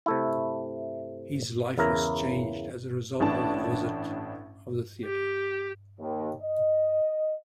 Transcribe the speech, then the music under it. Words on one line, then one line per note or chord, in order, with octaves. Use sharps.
His life was changed as a result of the visit of the theatre.
C3 A3 E4
E2 C#3 E4 A#4
A1 A2 D4 A5
G4
D#2
D#5